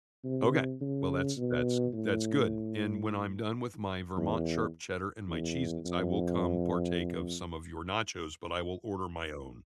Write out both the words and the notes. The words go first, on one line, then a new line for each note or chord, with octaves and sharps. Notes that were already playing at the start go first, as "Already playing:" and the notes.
Okay, well, that's that's that's good, and when I'm done with my Vermont sharp cheddar and my Cheez-its, I will come partake of some of your nachos, but I will order my own.
C3
C#3
B2
A2
E2
E2
F2